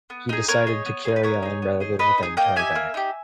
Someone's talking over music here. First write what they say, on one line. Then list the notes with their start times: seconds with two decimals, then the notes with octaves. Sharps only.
He decided to carry on, rather than turn back.
0.10 B3
0.29 D#4 G#4
0.48 B3 A#4 C#5
0.67 D#4 G#4
0.86 B3
1.05 D#4 G#4
1.16 B4
1.23 B3 A#4 C#5
1.43 D#4 G#4
1.62 B3
1.80 D#4 G#4
1.99 B3 B4 D#5
2.18 D#4 G#4
2.37 A#3 D#5 G5
2.56 D#4 G4 E5 G#5
2.75 A#3
2.94 D#4 G4